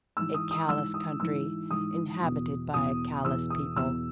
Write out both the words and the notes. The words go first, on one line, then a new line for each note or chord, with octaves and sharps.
A callous country inhabited by a callous people.
G#2 E3 E6
D#6
D#6
G#2 E3 E6
D#6
G#2 E3 E6
G#2 E3 D#6
E2 B2
E2 B2 D#6
E2 B2 E6
D#6
E2 B2 E6